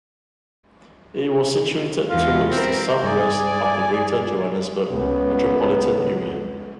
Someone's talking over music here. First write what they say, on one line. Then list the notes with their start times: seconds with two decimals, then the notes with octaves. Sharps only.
It was situated towards the south west of the Greater Johannesburg Metropolitan Area.
2.10 E2 G#3 F4
2.51 E3 C4 A#4
3.03 G2 G#4 D5 G#5
4.92 C#2 B3